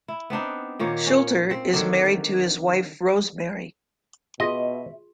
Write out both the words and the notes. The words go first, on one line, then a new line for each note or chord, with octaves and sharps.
Schulter is married to his wife, Rosemary.
E4
B3 C4 D4 D#4
A#2 D#3 A#3 C#5
C#4
C4
D3 D#3 F#3 D4
B2 F4 G#4 D#5 E5 C6